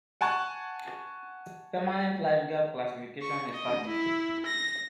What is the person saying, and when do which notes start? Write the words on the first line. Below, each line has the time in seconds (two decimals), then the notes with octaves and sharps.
Permanent Lifeguard Classification established.
0.21 F#5 G#5 A5 C#6 F#6
3.22 C#6
3.53 D#5
3.88 E4
4.46 A#6